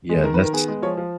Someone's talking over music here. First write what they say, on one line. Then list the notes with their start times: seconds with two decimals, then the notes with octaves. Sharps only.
Yeah, that's
0.09 G#3
0.23 D#3 A#4
0.34 B4
0.39 D#3
0.44 A#4
0.53 B3 G#4
0.68 G#3
0.82 F3 C#5
0.97 F3